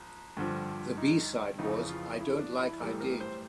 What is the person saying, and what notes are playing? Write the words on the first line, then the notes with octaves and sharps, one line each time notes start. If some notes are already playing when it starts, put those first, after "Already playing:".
The "B" side was "I Don't Like I Did".
Already playing: A#1
G2 D3 F3
D#4
F2 C#3 E3 D#4
F4
E4
D4
E4
B1 A2 E3 G3 A4
A#4
C5